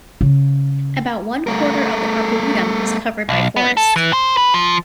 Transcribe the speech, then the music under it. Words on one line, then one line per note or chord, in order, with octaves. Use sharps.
About one-quarter of the Arboretum is covered by forest.
C#3
A3 A#4
B1
B3
A4
E3
C5
B4
F3